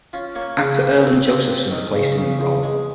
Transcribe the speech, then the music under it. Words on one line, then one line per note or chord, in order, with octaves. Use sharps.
Actor Erland Josephson replaced him in the role.
C#4 F4
A#3 C#5
C#3 F5
A#3 G5
C4
C4
C4
D#3
C#3
C#3
C#3
G#3